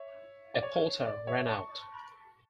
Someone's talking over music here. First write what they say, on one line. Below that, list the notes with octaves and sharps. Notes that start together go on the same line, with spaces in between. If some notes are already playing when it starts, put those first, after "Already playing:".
A porter ran out.
Already playing: C#5 E5
D5
C#5
D5
C#5 E5
A5 C#6